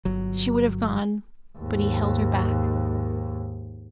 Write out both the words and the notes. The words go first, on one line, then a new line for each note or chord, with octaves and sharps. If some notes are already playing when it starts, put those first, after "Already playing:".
She would have gone, but he held her back.
G1 F#3
D#2 G#2